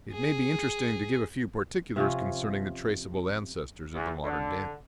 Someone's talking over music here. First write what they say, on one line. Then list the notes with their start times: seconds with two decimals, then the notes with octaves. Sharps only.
It may be interesting to give a few particulars concerning the traceable ancestors of the modern Dandie.
0.13 G#4
1.96 C3 F3 C#4
3.93 E2
4.23 D3